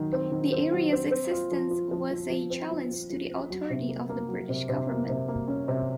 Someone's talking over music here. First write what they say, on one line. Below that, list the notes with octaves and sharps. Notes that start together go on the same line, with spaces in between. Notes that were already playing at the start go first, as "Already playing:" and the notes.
The areas' existence was a challenge to the authority of the British government.
Already playing: D#3 F#3
C4
D#3
C4
F#3
C4
C4
F4
F3
F4
F3
F3
F3
C4
F3
F4
F3
C4
F#3
C3
A#3
A#3
F#3
C3
C3
A#3
C3
A#3
C#4
C3